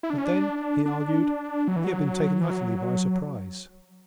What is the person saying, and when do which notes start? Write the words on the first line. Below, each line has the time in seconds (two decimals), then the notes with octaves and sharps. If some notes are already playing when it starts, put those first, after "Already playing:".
But then, he argued, he had been taken utterly by surprise.
0.03 E4
0.10 D4
0.17 C#4
0.25 D4
0.86 D4
1.68 F#3
1.76 E3
1.84 F#3
2.41 E3
2.50 F#3